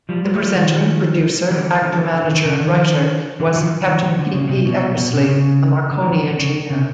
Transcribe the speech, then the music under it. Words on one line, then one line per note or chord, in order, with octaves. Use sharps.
The presenter, producer, actor-manager and writer was Captain P. P. Eckersley, a Marconi engineer.
F3 G3
F#3 G#3
G3 A3
F3 G3
D#3 F3
D3 E3
D3 E3
D3
D#3
D#3
C#3
D#3
D3 E3
D#3 F3
D#3 F3
D#3
D3
C#3
C3
B2
B2
C3
C#3
D3
D3 E3
D#3
D3
C#3
C#3